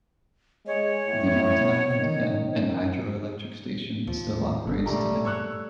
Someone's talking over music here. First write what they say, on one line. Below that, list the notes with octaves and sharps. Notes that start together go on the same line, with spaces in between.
The Mountain Island Dam and Hydroelectric Station still operates today.
G#3 C#5
A2
D#3
D#2 F3
A2 D3 D#3
G1 G#2 D3
A#2 G3 A3 D5 A#5
C#5 C#6 E6 F#6